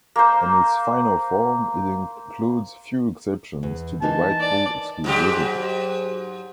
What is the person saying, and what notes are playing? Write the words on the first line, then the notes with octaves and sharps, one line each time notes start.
In its final form, it includes few exceptions to the rightful exclusivity.
A#3 C5
E2
E3 A#3 D#4 A5
D5
G#2 F#3 G4